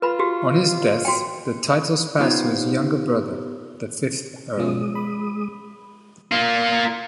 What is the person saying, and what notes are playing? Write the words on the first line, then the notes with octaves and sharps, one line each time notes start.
On his death the titles passed to his younger brother, the fifth Earl.
F4 B4 B5
F#4 G4
F#4 G5
B3 D#4 F4 G4 C5 C#5
B2 F3 G#3 C#4 D#6
B5
A#3 F4